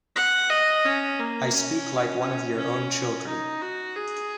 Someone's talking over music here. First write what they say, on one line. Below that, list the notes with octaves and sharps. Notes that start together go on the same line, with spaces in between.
I speak like one of your own children.
F#5
D#5
C#4
A#3
C#4
C#4
C#4
D#4
F#4
G#4